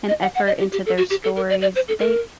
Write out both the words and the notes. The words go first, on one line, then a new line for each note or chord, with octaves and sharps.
and effort into their stories, they
D#5
F#5
F#5
D#5
G4
G4
A4
F#4
G4
A4
A#4
D5
D5
C5
A4
A#4